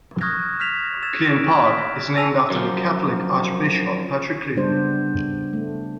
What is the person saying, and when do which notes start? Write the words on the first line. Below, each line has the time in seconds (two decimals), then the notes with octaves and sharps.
Clune Park is named after the Catholic Archbishop Patrick Clune.
0.21 C#6 D#6 F6 F#6 G#6 A#6
0.60 F6 G6 B6 E7 F7
1.03 E6 G#6 A6 E7
1.29 D7
1.65 F6 B6
2.17 G#5 A5 E6 D#7 F7
2.50 F#2 F3
4.56 C#3 G3 B3 D4 C5
5.53 A3